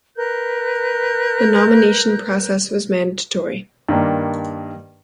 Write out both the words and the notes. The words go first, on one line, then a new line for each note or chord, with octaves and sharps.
The nomination process was mandatory.
A#4 B4 F#6 G6
G2 D#3 A#3 D4